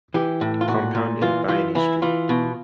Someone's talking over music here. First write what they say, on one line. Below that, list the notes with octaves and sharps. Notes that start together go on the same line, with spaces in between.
Compound in Bayani Street.
E3 G4
A2
F4
A#2 F#4
A#2
E3 F4
E3 F4
E3 E4
E3 F4
B2